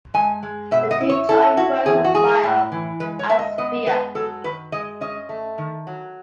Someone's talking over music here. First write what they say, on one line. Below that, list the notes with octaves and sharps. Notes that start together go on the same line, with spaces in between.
The two joined words are "bio" and "sphere".
G#3 G#5
G#3
B2 E5
D#5
E4
C#5
E4 A4
E4 F#4
E2 G#4
F#4
G#3 G#4
A2
E3
G#3 B4
C#5
G#3 E5
D#5
B3 D#5
G#3 B4
F#3 A4
D#3 B4
G#3 D#5
C#4 D#5
A3
D#3
F#3